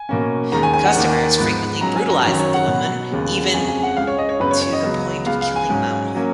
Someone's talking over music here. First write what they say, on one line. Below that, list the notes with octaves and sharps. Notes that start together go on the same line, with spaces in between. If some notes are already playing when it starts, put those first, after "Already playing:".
Customers frequently brutalized the women, even to the point of killing them.
Already playing: G#5
B2 A#3 C#4
D#2 D#3 G#3 C#4 A#5
G#5
G#5
F#5
D#2 D#3 A#3
G#2 F3 B3
G#2 F#3 C#4 A#5
G#5
A#5
F#2 D#3 F#3 C#4 A#5
C#5
F#5
B2 F#3 B3
D#2 C#3 G#3 B3
F2 C#3 G#3 C#4 G#5
G#5
F#5
C#2 C#3 G#3 F5
C#5
D#5
C#5
F#2 C#3 G#3 B3 B4
C#5
C#5
D#5
C#2 C#3 F#3 B3
C#2 C#3 G#3 B3 F5
F5
G#5
G#2 F#3 C#4
F#3 A#3 C#4